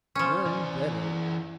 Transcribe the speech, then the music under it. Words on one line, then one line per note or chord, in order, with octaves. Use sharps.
None better.
F3 C#4
E3 D5